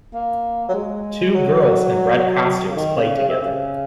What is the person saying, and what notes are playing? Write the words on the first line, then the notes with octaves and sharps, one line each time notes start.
Two girls in red costumes play together.
A#3
F#3
G#3
F#3
C#3
D#3
C#3
C#3
C3
C#3